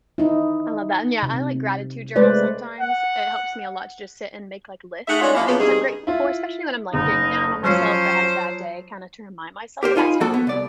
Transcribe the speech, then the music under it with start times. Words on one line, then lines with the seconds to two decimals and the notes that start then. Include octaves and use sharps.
I love that, and yeah, I like gratitude journals sometimes, it helps me a lot to just sit and make, like, lists of things I'm grateful for, especially when I'm, like, getting down on myself, or had a bad day, kinda to remind myself of that stuff.
0.18 D#4 E4
1.23 C3
2.16 G#3 A3 B4 C5 D5
2.80 F#5
5.08 A3 D#4 G#4 E5 F#5
5.21 G#3 C#4 D#4 F4 C#5 D5
5.35 F#2 F3 A#3 E4 F4
5.47 C#3 F3 A#3 B3
5.58 G2 C3 G3 D#4 G#4
6.07 E4 F4
6.94 F#1 D#4
7.64 F3 F#3 C#4 C5
9.83 G4 A#4 C5
9.96 D#4 F4 G#5 B5
10.21 F3 A#3 F#4 A4
10.34 B3
10.47 C2 D5